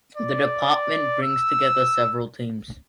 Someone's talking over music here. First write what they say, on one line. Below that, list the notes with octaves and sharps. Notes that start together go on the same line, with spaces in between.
The department brings together several teams.
D5
E6